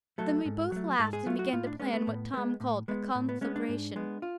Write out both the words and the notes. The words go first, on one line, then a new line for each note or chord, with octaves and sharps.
Then we both laughed and began to plan what Tom called a conflagration.
F#3 A3 A4
G#2
F#3 A3
G#2 A4
G#4
F#3 A3 F4
F#4
A2 F4
D4
G#3 B3 C#4
B3
A2
G#3 B3
A2
G#3 B3
A2
B3
G#3 B3 C#4
D4
G#2
G#3 B3
F4